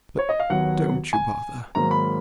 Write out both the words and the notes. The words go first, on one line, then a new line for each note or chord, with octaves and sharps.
But don't you bother.
C#5
D#5
F5
D#2 D#3 F#3 B3 F#5
G#5
G#2 D#3 F#3 A#3 A#5
B5